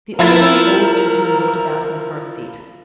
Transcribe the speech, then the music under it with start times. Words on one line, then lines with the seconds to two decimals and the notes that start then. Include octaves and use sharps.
The Urbane Old Gentleman looked about him for a seat.
0.19 F3 E4 F4 A#4